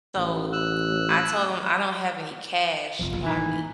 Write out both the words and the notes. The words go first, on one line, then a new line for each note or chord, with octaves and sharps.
so I told him, "I don't have any cash on me,"
A1
E6 F#6
F1 F2 F3 F4
F1 E2 A#2
A2 D#3 E3 D#4